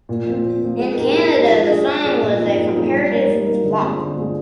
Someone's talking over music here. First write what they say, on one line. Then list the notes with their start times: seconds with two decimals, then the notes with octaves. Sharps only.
In Canada, the song was a comparative flop.
0.09 A#2
0.26 F3 C4
0.43 A#2
0.62 F3 C4
0.79 G#3
0.97 D#4 G4 A#4
1.15 G#3
1.32 D#4 G4 A#4
1.50 F3
1.69 G#3 D4 G#4
1.86 F3
2.04 G#3 D4 G#4
2.22 A#2
2.39 F3 C4 D#4 G#4
2.57 A#2
2.75 F3 C4 D#4 G#4
2.93 G3
3.10 A#3 D#4 A#4
3.28 G3
3.46 A#3 D#4 A#4
3.64 D3
3.81 G#3 C4 F4 G#4
3.99 D3
4.17 G#3 C4 F4 G#4